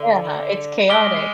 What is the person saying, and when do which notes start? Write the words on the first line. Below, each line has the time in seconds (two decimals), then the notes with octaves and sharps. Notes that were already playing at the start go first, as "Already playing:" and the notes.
yeah, it's chaotic,
Already playing: D3
0.90 G#3 D6 F6 B6 D7 G7
1.18 G#3